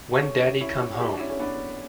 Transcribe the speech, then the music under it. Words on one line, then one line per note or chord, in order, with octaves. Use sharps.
When Daddy come home?
A3 C#4
C#4 E4
F#4
E4 G4
D4 F#4
C#4 E4
A3 C#4
B3 D4